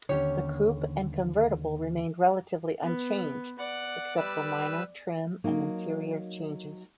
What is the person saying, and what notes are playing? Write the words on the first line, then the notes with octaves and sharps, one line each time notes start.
The coupe and convertible remained relatively unchanged except for minor trim and interior changes.
D#2 D3 C#4 G4 C#5
B3
D5 F#5 F#6
G3 B4 E6
F#3 A#3 D#4